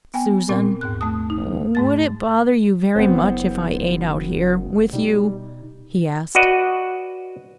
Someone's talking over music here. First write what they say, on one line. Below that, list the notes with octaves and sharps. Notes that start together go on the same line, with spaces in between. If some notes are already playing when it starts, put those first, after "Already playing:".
"Susan, would it bother you very much if I ate out here--with you?" he asked.
B3 G5 G#5
A#2 C4
D#2 G#2 F#6
A3 A5 D#6
D#4
G#2 A3 A6
F#1 B3 C4 C5
B2 G3 D#4
F#4 B4 D5 D#5 F#5